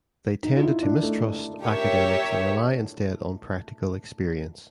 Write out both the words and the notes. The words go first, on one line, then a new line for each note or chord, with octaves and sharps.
They tended to mistrust academics and rely instead on practical experience.
D#4
F4
E4
D4
A3
G4 A#4 C#5 E5